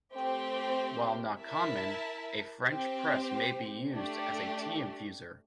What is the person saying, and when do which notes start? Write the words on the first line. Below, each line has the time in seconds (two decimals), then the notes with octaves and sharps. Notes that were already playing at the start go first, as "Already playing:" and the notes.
While not common, a French press may be used as a tea infuser.
0.12 A3 C4 G4 C5 G5
1.39 E4 A#4 E5 A5
2.65 C4 G4 C5 G5
3.91 A3 D4 G4